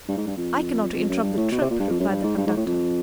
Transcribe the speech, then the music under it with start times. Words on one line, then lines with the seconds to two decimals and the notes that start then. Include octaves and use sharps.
"I cannot interrupt the trip," replied the conductor.
0.08 G2
0.17 G#2
0.27 G2
0.37 F2
0.94 F2
1.08 F#2
1.22 G2
1.37 A2
1.52 B2
1.61 C3
1.70 A#2
1.80 G2
1.90 F2
1.99 F#2
2.09 G2
2.23 G#2
2.37 G2
2.47 G#2
2.57 A2
2.66 F2